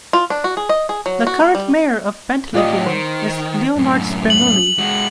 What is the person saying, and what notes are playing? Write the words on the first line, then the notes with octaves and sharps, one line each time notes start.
The current mayor of Bentleyville is Leonard Spremulli.
F4
D4
F#4
G#4
D#5
G#4
F#3
F#4
A#3
G3
A2 F4 G4 D5 D#5
D#3 C5
F#2 A2
F#7
G#3 F#4